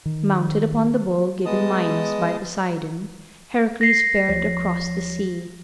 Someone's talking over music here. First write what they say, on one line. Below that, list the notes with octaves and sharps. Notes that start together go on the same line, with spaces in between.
Mounted upon the bull given Minos by Poseidon, Heracles fared across the sea.
D#3
G#3 B3 D#5 A5 D#6
A#6 C7
D2 F3 C#5